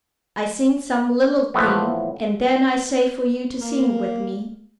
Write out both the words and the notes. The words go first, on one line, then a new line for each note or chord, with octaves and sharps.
I sing some lil' ting, and then I say for you to sing with me.
A2 E3 F3 A3 B3
A#3